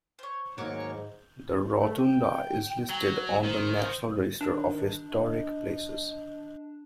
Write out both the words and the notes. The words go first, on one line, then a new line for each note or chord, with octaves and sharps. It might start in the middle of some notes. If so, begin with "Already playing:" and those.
The rotunda is listed on the National Register of Historic Places.
C5 C#5
D#2 G#2 F#3 A#4 C#5 D6
A3
G5
F#3
D#3 C5
D#3 D4
D#5